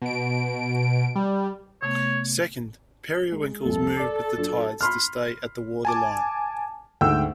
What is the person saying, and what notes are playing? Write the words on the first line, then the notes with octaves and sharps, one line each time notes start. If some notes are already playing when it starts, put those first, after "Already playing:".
Second, periwinkles move with the tides to stay at the water line.
B2 D7
G3
C3 A3 B3 C#5
G#3
C2 F2 A#2 A4
A#4 D5 D6
F#3 D4 F4
B5 C6 F6
G#5 A5 D6
D2 G#2 G5 E6